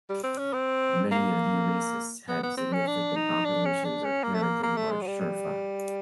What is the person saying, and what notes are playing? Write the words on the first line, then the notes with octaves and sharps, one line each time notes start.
Many of the oases had significant populations of haratin or shurfa.
G3
C4
C#4
C4
A#3
B3
B3
C4
C#4
D4
D#4
D4
C#4
D4
C#4
A#3
A3
A#3
A#3
A3
G#3
F#3
G3
G3